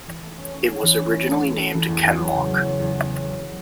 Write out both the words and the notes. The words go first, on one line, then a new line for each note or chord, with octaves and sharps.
It was originally named Kenlock.
E3
A3
C#4
C#4
C#4
E3
C#4
E4
A3
E4
A3
E3
E2
E2
F#3
C#3
F#3
E2
E2
E2
C#3
F#3